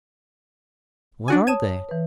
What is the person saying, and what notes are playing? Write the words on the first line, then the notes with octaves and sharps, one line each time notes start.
What are they?
D4 F#4 G#5
C#5 A5 D#6 G#6 D#7 E7
E3 B4